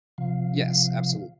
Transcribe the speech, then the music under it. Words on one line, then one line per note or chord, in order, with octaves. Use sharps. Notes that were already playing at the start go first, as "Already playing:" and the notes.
Yes, absolute.
C3 F3 F5